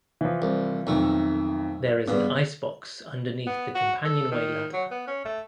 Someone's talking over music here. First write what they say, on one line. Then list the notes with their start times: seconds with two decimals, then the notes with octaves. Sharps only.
There is an ice box underneath the companionway ladder.
0.21 E3 F3
0.42 C2
0.87 B1 F2 D#3 A3
2.08 G2 C#3 B3
3.47 B3
3.74 F#4
4.05 A4
4.31 D#3
4.73 F#3
4.91 B3
5.07 C#4
5.25 A3